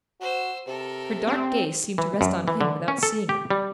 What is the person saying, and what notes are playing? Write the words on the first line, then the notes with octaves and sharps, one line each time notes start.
Her dark gaze seemed to rest on him without seeing him.
F#4 C5 E6
C3 A4 A#4
C4
E3
F#2
E3
D3
C#4
A4
G4
G3